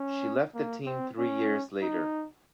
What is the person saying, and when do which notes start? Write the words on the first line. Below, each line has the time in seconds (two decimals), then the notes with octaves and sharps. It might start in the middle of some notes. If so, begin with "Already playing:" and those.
She left the team three years later.
Already playing: C#4
0.55 A#3
0.86 C4
1.19 C#4
1.82 D#4